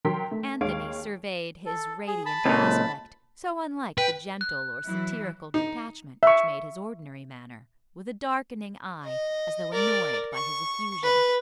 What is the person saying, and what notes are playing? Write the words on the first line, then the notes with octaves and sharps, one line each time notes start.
Anthony surveyed his radiant aspect--so unlike the gentle or satirical detachment which made his ordinary manner--with a darkening eye, as though annoyed by his effusion.
F#3 A#4 G5 C6 B6
A3
D#2 G#3 C#5 F5 C#6 D7
A4
G#4
A5 B5
C#2 A#2
B4 G5
F#6
E3 F#3 E4
D#4
E5 C#6
D#5
A#4 D5
C#6
B4